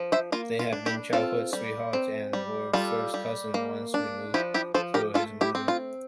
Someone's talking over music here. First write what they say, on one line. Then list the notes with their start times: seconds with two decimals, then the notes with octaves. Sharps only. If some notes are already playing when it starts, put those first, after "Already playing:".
They had been childhood sweethearts and were first cousins once removed through his mother.
Already playing: F3
0.12 C5 E5
0.32 A#3 F4
0.59 F4
0.73 D4
0.86 E4 G4
1.13 C4 F4 A4
1.53 G3
1.93 C4
2.33 G3
2.73 G3 F4 A4
3.14 G3
3.54 A#3
3.94 D4
4.34 F3 E4 G4
4.54 E4 G4
4.74 F3 A4 C5
4.94 G4 A#4
5.14 A3 F4 A4
5.41 E4 G4
5.55 C4
5.68 F4